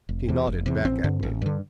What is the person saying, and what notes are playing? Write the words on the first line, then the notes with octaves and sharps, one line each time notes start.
She nodded back at me.
F1
E2 C3
F1
E2 C3
A1 C4
G2 D3
A1
G2 D3